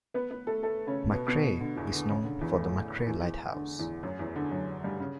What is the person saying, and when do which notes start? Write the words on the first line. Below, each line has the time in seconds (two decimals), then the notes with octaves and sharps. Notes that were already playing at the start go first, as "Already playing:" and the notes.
McCrae is known for the McCrae Lighthouse.
0.14 B3 B4
0.30 B3 B4
0.47 A3 A4
0.63 A3 A4
0.87 C#3 C#4
1.12 B2 B3
1.28 B2 B3
1.60 D3
1.76 E2 E3
1.93 D3
2.09 C#3
2.25 D3
2.41 E2 E3
2.57 A2 A3
3.06 E2 E3
3.54 D3
3.79 E2 E3
4.03 F#2 F#3
4.19 E2 E3
4.36 D3
4.51 F#2 F#3
4.84 G2 G3
5.00 C#3